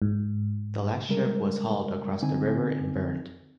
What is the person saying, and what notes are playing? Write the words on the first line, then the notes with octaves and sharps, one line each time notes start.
The last ship was hauled across the river and burned.
G#2
C#3 G3 G#3 A#4
D3 C4 D#4 G#5